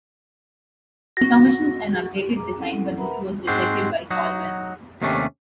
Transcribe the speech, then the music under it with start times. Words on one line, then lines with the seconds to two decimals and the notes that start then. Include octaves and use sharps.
He commissioned an updated design, but this was rejected by Coleman.
1.17 F#4 A#6
2.35 G#4 A#5 D6
2.56 C4 C#4 E4 A4 F#5
2.98 A#4 B4 E5 F#5 A#5 B5
3.47 G#2 G#3 C4 D4 F#4 C5
4.11 F#3 D#4 F#4
5.02 D#2 C3 D#3 A3 C#4 D4